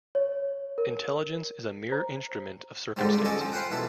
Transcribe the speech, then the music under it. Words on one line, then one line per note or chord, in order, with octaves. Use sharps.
Intelligence is a mere instrument of circumstances.
C#5
A#4
C5 A#5
F2 G#2 D3 F3 G3
F2 D3 G3
C#4 A4 D5 D#5
F3
F4 B4 C5 F#5 G5
B1 E3 A4